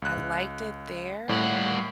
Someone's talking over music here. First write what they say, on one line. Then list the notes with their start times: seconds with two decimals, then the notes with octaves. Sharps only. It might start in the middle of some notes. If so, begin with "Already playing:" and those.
I liked it there
0.02 C#2 F#6
1.29 A2 G3 A#3 F#5